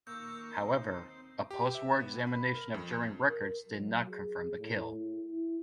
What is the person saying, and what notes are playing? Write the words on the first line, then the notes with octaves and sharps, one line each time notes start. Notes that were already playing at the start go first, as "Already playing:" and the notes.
However, a post-war examination of German records did not confirm the kill.
A#2 D#3 A#3 C#6 E6 G6
D#2 C4 D#4
G4
E5
B3
B5
A#4
F2
A#4
F#3
G#4
A2
E4
E4